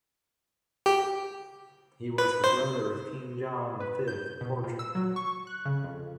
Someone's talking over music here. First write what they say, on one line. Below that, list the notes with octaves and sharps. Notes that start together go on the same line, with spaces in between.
He was the brother of King John the Fifth of Portugal.
G4
B4
C5
B4
G6
B2
A#2
E6
F#3
C#6
F#6
C#3
F2